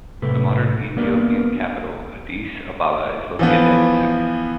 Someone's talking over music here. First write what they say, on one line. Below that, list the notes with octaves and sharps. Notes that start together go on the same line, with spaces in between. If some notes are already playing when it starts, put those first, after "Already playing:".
The modern Ethiopian capital Addis Ababa is located at its center.
A2 C3 A4 B4
A#3 B3 D4 F#4 A#4 D5
E3 F3 B3